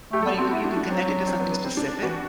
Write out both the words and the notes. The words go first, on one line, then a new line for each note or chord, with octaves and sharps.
when you can you can connect it to something specific,
A3 G4
B3 A4
G4
C4 F#4
B3 E4
D4
A3
D4
F#3 C4
D4
C4
B3
B3
C4
D4
E3 F#4